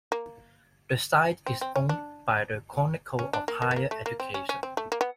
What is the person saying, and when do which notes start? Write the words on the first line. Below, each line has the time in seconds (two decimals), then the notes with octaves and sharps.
The site is owned by "The Chronicle of Higher Education".
0.12 A#3
1.46 C4
1.61 C4
1.76 C#4
1.89 D4
3.19 C#4
3.33 D4
3.48 A#3
3.62 A#3
3.71 B3
3.76 A#3
3.91 A3
4.06 A#3
4.20 C4
4.34 C#4
4.49 C#4
4.63 C4
4.77 A3
4.92 A#3
5.01 B3